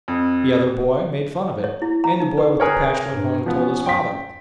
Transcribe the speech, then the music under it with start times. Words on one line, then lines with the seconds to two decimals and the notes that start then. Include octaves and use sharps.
The other boy made fun of it and the boy with the patch went home and told his father.
0.08 F2
1.64 C#5
1.82 E4
2.04 A#5
2.20 D#4
2.38 B4
2.60 G#4 A#4 B4 C#5
3.09 G2
3.46 F3 B3 C#4
3.86 G5 B6